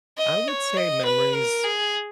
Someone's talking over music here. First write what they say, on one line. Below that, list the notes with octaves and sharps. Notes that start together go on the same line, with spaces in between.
I would say memories
D#5
C#5
D#5
B4
A#4
G#4